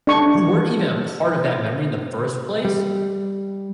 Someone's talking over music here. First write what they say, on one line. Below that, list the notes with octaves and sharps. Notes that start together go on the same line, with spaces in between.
who weren't even a part of that memory in the first place
D4 C#6
G3